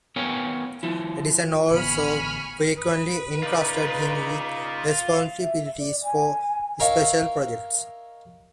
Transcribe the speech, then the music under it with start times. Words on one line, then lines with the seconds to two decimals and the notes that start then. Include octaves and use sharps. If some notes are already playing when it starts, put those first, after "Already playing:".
Edison also frequently entrusted him with responsibility for special projects.
0.16 B3 A#4 C#5 F5 G5 G#5
0.83 F3 E4
1.71 A1 D3 B3 G#5 B5 C#6 F6
2.77 B4 D#6
3.43 C#3 D#4 F4 D5
5.39 E5
5.79 D5
6.03 G#5
6.80 D#4 A#4 C#5 E5 F5